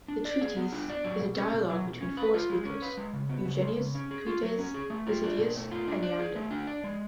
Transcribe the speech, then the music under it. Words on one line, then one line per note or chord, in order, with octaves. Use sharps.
The treatise is a dialogue between four speakers: Eugenius, Crites, Lisideius, and Neander.
D4
D5
G#4
B3
D4
D5
F#3
B2
C#4
B2
F#3
B2
C#4
B4
F4
G#3
C#4
B4
G#3
C#3
B3
C#3
G#3
C#3
C#4
G#4
F4
F#3
C#4
G#4
A3
F4
D4
B2
A3
F4
D4
D5
G#4
A3
D4
D5
G#3